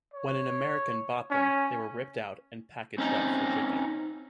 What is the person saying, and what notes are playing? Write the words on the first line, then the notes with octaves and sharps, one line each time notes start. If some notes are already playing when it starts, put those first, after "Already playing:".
When an American bought them they were ripped out and packaged up for shipping.
C#5
C#4
C4 C#4 D#4